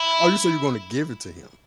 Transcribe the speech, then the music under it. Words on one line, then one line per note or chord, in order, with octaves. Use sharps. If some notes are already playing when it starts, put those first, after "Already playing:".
Oh, you say you're gonna give it to him.
Already playing: E4